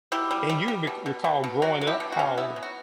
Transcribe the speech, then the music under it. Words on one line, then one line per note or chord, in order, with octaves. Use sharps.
and you re recall growing up how
B2 E4 G4
G3
G3
G3
B2
B2
B2
B2
F#3 F#4
F#3
E4 G4
B2
F#4
C#4
B3 E4
F#3
F#4